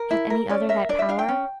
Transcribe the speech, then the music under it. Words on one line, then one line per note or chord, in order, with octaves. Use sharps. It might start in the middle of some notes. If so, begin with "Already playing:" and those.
Had any other that power?
Already playing: A#4
E4
A#4
C#4 D5
A#4 E5
D4 D5
E5
D4 F5
G5
C#4